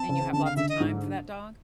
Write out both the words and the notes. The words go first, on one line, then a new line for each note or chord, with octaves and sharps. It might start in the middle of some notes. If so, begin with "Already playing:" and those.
And you have lots of time for that dog?
Already playing: C4 A5
C#3
D3 A5
F5
D3 E5
D#5
G#2